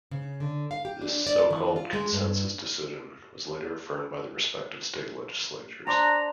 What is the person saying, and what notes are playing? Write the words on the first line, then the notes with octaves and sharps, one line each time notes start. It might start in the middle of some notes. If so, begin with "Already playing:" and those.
This so-called "consensus decision" was later affirmed by the respective state legislatures.
C#3
D3
F5
G4
D4
D5
E3
F4
G#3
G2
D4 C5 A5 A#5